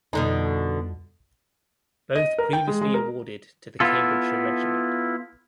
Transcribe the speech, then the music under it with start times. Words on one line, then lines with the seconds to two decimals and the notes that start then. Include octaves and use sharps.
Both previously awarded to the Cambridgeshire Regiment.
0.13 F2 B2 D3 G3 D#4 D#5
2.15 D#5
2.38 A#4
2.53 G5
2.67 G#3
2.81 G#3
2.94 A#4
3.80 B3 E4 F4 A4